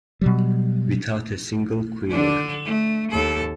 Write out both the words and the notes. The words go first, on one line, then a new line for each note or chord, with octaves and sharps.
Without a single quiver.
B2 F#3 G3
D3 D4
A3
D#2 A4